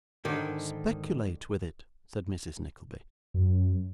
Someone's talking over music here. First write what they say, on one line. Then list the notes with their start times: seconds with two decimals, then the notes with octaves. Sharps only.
'Speculate with it,' said Mrs Nickleby.
0.25 G#2 D3 D#3
3.34 F#2